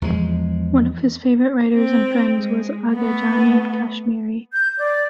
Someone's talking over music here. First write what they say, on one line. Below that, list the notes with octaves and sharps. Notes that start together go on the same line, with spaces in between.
One of his favourite writers and friends was Aghajani Kashmeri.
E2 F3 G#3
C4
G#3
A3 B3
G6
D5